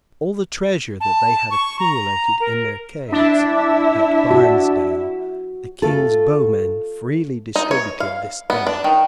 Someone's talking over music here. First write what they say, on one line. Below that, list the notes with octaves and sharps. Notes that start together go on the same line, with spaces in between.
All the treasure that they had accumulated in their caves at Barnesdale the King's bowmen freely distributed this day.
A5
C#6
A#5
A#4
D4 E4 E5
F#4
A3 F4 A4
D#4
C#5
F5
B3
D4
D#3